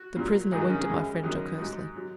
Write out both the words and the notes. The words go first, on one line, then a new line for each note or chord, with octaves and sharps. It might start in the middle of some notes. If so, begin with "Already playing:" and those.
The prisoner winked at my friend jocosely.
Already playing: F#4
A#2 F#3
G#2 D#3 F#3 G#4
F#4
C#4
G#4
F#2 E3 G#3
F#2 D#3 F#3
G#2 F#3
F#3